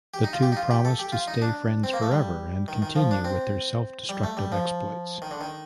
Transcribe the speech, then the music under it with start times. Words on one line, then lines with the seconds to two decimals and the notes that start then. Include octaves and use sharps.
The two promise to stay friends forever and continue with their self-destructive exploits.
0.14 G4
0.24 D#4
0.33 F4
0.43 G4
0.52 D#4
0.57 F4
0.71 G4
0.85 A4
0.99 G4
1.12 F4
1.28 D#4
1.42 D4
1.84 C4
1.93 A#3
2.02 A3
2.11 G3
2.68 D#3
2.82 D#3
2.96 F3
3.11 D4
3.24 C4
4.09 G3
4.23 A3
4.37 G3
4.52 F3
5.22 D#3
5.31 D3
5.41 D#3